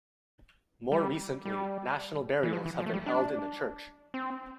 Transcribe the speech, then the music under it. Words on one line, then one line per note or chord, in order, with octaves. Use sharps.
More recently, national burials have been held in the church.
G3
G3
E3
F3
E3
F3
A3
G3
D4
C4